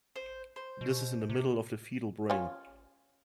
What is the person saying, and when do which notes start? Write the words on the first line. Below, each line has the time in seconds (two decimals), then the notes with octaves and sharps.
This is in the middle of the fetal brain.
0.16 C5
0.56 C5
0.81 B2
1.30 C3
2.30 C#4 F4